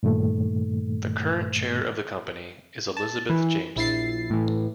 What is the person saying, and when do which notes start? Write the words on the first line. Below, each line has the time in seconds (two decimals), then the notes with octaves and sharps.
The current chair of the Company is Elizabeth Jameson.
0.03 G2 A#2 D#3 A3
2.97 A5
3.29 E3
3.76 A#1 E4 A6 C7
4.30 A2 E3